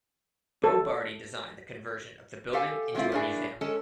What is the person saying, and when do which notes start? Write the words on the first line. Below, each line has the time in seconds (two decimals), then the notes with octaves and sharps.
Bo Bardi designed the conversion of the building into a museum.
0.64 A4
2.53 G4 A4 F5 G#5
2.94 F#3 G#3 A3 C4 E4 F4
3.12 G2 A#3 D4 E4 G#4
3.61 G#3 C#4 A4